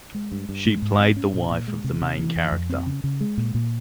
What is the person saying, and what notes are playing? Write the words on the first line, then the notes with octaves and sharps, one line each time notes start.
She played the wife of the main character.
G#3
G2
G2
G#3
G#2
C4
C#4
A#2
A#2
G#3
C3
C3
E3
F2
F2
C4
C#3
C#3
G#3
A#2
A#2